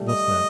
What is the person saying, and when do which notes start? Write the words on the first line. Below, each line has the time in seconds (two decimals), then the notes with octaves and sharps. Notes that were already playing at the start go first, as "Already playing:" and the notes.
What's that?
Already playing: G3 A3
0.09 D#5